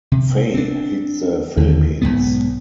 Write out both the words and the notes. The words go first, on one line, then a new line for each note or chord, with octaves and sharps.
Faye hit the Philippines.
C3
C4 D4
D#2 D3
B1 F2 G#2 B3